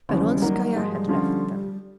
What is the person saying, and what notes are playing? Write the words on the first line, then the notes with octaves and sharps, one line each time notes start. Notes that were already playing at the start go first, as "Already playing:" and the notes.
Peronskaya had left them.
D#2 C#3 E3 F#3 G#3
F#3
G3
D#3 F#3 A#3
G#2 F3 G3 G#3
G3
D3 F3 A3 C#4 F4